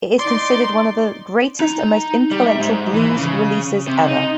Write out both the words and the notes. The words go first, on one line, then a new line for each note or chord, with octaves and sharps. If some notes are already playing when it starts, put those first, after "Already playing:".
It is considered one of the greatest and most influential blues releases ever.
D#4 D5 C6
D#4
G3
E5
G#2
E3
C#3
C3
D#4